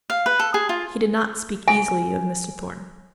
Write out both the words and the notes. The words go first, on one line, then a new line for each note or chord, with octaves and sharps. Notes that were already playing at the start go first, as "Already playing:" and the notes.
He did not speak easily of Mr. Thornton.
F5
B4
A4
G#4
F4
G#5